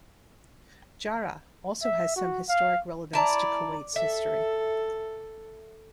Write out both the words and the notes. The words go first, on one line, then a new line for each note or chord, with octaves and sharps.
Jahra also has some historic relevance to Kuwait's history.
E5
F#4
F5
E4 D5 A5 A#5
A4 E5